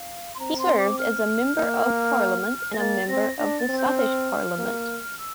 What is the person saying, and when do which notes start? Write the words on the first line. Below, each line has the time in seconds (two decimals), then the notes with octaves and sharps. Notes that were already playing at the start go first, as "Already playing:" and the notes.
He served as a Member of Parliament and a Member of the Scottish Parliament.
Already playing: F5
0.34 C6
0.39 C4 A#5
0.59 C6
0.79 D6
0.99 F6
1.59 A#3
2.73 A#6
2.78 A#3 A6
3.08 C4 A#6
3.38 D4 A#6
3.59 A6
3.69 C4
3.78 G6
3.98 F6
4.59 A#3
5.18 E6